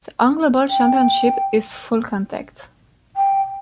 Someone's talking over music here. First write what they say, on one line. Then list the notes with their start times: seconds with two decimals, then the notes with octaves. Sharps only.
The Angleball Championship is full contact.
0.69 G5
3.16 G5